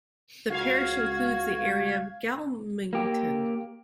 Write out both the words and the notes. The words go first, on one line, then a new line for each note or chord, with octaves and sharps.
The parish includes the area of Galmington.
C#2 F#4 F5 G#6
A#3 G4